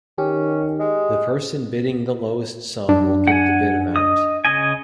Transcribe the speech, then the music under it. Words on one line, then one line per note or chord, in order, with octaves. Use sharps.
The person bidding the lowest sum will get the bid amount.
D#3 C#4 G4
G#3
F#2 D4
F#5 G#5
D#5 D#6
C#3 D#5 G#5